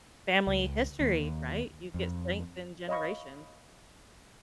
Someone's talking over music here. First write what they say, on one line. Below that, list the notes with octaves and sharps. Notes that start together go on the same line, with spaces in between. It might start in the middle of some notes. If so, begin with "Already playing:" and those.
family history, right? You get strength in generations.
C#2
D#2
F2
C#5 D#5 F5 B5 C#6